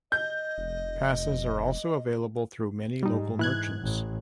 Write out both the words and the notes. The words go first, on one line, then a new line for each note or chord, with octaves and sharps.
Passes are also available through many local merchants.
D#5 G6
F1
G#2 G3 D#4
E3 F#6 G#6
A1